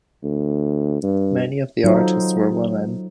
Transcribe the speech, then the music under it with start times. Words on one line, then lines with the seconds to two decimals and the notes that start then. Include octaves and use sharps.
Many of the artists were women.
0.24 D2
1.03 G2
1.84 F#3 D#4 F4 A4 C5